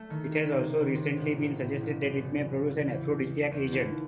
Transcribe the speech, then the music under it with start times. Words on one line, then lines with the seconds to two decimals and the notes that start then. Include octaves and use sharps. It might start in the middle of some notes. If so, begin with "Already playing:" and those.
It has also recently been suggested that it may produce an aphrodisiac agent.
Already playing: A3
0.10 D#3
0.31 C#2
0.52 C3
0.74 C#2
0.95 C3
1.17 A1
1.38 A1
1.59 A2
1.81 A1
2.02 F#2
2.23 C#3
2.44 E3
2.66 E3
2.87 E2
3.09 G#3
3.30 G#3
3.51 E2
3.72 D#2